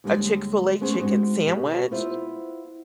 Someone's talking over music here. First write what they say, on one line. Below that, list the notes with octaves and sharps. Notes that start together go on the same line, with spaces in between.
a Chick-fil-A chicken sandwich.
D#2 D3 G3 G#3 C#4 D4
A3 B3 C#4 D4 G#4 C5
G#3 A3 C4 D#4 F#4
B2 G4
B3 E4 F4 C5 E5